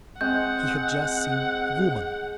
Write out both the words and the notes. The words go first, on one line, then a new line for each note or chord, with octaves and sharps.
He had just seen Woman.
G#3 C4 F#5 G6